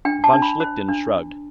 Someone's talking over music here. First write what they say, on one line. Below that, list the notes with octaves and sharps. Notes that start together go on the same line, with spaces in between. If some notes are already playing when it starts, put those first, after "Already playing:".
Von Schlichten shrugged.
D4 G5
A5
D4
B5
C5
D4